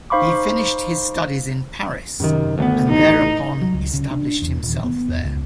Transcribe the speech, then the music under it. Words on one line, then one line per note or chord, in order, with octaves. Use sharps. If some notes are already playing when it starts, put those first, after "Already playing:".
He finished his studies in Paris and thereupon established himself there.
D#4 C5 F5 B5 C#6 D6
F#2 C3 D#3
D2 A3 B3
A1 D#4
F#3
C#2
C#3
D4
E2
D#1
B3
E2
C#2